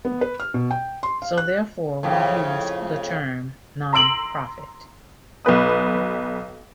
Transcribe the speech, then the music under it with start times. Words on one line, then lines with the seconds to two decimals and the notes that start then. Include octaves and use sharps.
So, therefore we used the term non-profit.
0.05 B3
0.21 B4
0.40 F6
0.54 B2
0.71 G5
1.03 C6
1.22 F5
1.38 F#6
2.03 F2 A2 C#3
3.93 A#5 C6 E6 D7 F#7
5.45 B1 B2 B4 D#6